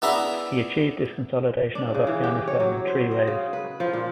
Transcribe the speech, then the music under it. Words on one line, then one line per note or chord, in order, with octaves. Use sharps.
He achieved this consolidation of Afghanistan in three ways.
B3 D4 E4 G#4 A#5 B5
D4
C#3
E3
G4
C#5
F#3
C5
D#5
C#3
B4
F3
A#2